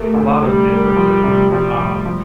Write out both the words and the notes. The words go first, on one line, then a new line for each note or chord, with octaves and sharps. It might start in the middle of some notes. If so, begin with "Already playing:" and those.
a lot of differences, um,
Already playing: A3 A#3 G4
D2
C3 G3
A#3
F3
C3
F3 G3
F3
F3